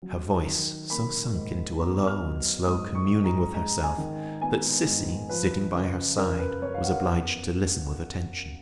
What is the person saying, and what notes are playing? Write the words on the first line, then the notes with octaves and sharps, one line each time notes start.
Her voice so sunk into a low and slow communing with herself, that Sissy, sitting by her side, was obliged to listen with attention.
F#3
D#3
A#3 B5
G#2
B3 A#5
F6
F#3
G#2 D#6
C#6
G#2
A#5
G#3 A#5
G#5
D#3
B3 G#5
G#2
F3 B4
C#3
F#2 A#4
B4
F#2 C#5
F5
F#5
B3